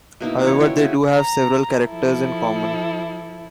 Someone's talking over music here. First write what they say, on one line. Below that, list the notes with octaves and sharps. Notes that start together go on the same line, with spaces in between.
However, they do have several characters in common.
B2 A#3 D#4 E4
E3 F#4 C#5
E4 F4 C#5 G5
C#3 E4 F#4
A#5
F3 E4 A4